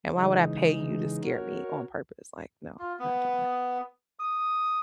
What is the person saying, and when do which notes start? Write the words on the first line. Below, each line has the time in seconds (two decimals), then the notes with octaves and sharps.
and "Why would I pay you to scare me on purpose," like, "No," not doing that.
0.11 C#3 E3 G#3 D#4
1.22 F#4 A#4 C#5
2.79 F4
2.99 B3
4.19 D#6